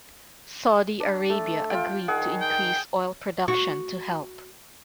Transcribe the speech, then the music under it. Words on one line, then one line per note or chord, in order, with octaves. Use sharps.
Saudi Arabia agreed to increase oil production to help.
D4
A3
F4 G5
D#3 G#4 F#5
G5
F#4